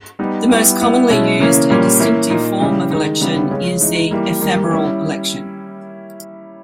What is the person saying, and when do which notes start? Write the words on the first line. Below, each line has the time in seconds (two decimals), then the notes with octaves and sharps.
The most commonly used and distinctive form of election is the ephemeral election.
0.19 G3 B3 D#4
0.49 G3 B3 E4
0.80 G3 B3 E4
1.10 B2 G#3 C#4 E4
1.39 C#3 E3 A#3 C#4
1.70 A#2 G3 A#3 C#4
2.00 E3 A#3 C#4 E4
2.30 A#2 A#3 D#4
2.60 C#3 E3 G3
2.91 D#3 G#3 D#4
3.21 C#3 G3 B3 E4
3.51 C#3 G#3 C#4
3.81 E3 G#3 D#4
4.11 E3 G3 A#3
4.41 D#3 G3 A#3
4.71 G3 C#4 E4